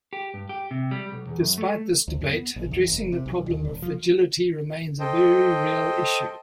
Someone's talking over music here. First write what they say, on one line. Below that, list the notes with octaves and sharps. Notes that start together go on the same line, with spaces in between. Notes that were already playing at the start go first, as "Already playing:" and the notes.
Despite this debate, addressing the problem of fragility remains a very real issue.
G4
G2
G4
C3
G3
B1
E2
F#2
A3
D2
F#2
B3
A#1
E2
F#1
C3
B1
D#2
E1
F3
A4 C5 D#5 G5